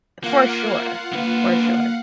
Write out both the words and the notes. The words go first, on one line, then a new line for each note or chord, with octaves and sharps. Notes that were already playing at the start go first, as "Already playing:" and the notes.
For sure, for sure.
A#3 F4 F5 F#5
D3 A#3 B4